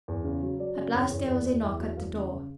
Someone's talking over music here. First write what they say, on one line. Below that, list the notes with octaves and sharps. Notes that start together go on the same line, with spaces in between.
At last there was a knock at the door.
E2
C#3
F#3
F#3 D5
C#3
E2 C#5
E2
E2 D5
E2
E2 E5
F#3
E2 F5
C#3
C#3